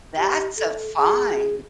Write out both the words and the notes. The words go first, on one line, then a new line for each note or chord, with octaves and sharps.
That's a fine.
G4
A4
G#4